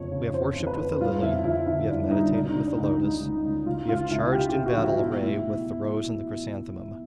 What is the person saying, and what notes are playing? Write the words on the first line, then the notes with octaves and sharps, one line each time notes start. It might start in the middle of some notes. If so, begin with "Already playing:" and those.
We have worshipped with the lily, we have meditated with the lotus, we have charged in battle array with the rose and the chrysanthemum.
Already playing: F#1 F2 C#5
C#3
F2 C5
F2
B4
F2
G3 F4
F2 E4
F2 E4
D3 E4
G3 D4
G3 D#4
C#2 D4
D#4
C#2
D4
C#2
D#4
C#2
C#2
C#2
C#2 F4
C#2 F4
C#2 E4
C#3 G4
G4
C#3
F#4
F3
E4
B1
A2